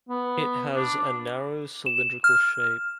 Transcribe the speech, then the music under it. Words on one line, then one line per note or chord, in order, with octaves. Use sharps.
It has a narrow cylindrical shape.
B3
D4
E7
F6